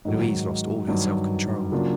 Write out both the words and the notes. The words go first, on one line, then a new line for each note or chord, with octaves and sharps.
Louise lost all her self-control.
G#2 D#3 F#3
G2 D#3 F#3
C#3 F#3 A#3 D4 F4